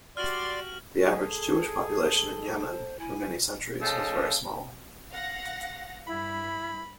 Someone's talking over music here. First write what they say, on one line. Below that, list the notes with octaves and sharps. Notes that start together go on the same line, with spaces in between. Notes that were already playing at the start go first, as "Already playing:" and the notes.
The average Jewish population in Yemen for many centuries was very small.
F#4 G4 D5 C6 F6 F#7
G#4 A4
C5
E4 G#5
F3 G#3 C#4 A4
F5 F#5 A#6
G2 E4 B5